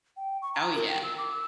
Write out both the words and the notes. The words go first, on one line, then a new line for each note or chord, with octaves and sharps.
Oh yeah.
G5
C#6
A#5
A#4
G5
E6
D6
E6